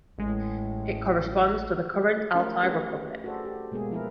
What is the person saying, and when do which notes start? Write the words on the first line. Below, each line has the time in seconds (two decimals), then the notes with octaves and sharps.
It corresponds to the current Altai Republic.
0.18 A1 A2 G#3
2.34 A3 C#4 E4 G4 A#4
2.62 C#4 G4 B4
3.24 F#4 G#4 A4 C5 D5
3.45 G4
3.72 B2 G#3 A#3 B3 G#4
3.91 F3 E4 A#4 B4